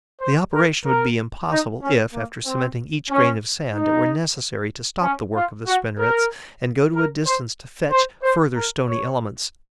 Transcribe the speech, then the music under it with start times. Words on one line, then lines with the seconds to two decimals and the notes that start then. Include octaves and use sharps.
The operation would be impossible if, after cementing each grain of sand, it were necessary to stop the work of the spinnerets and go to a distance to fetch further stony elements.
0.21 C5
0.53 A#4
0.85 A#4
1.50 D#4
1.82 C#4
2.14 A#3
2.45 C4
3.10 C#4
3.74 D#4
5.02 C#4
5.35 F4
5.67 F#4
5.98 A#4
6.95 A#4
7.26 C5
7.91 C5
8.23 C5
8.56 A#4
8.88 C#5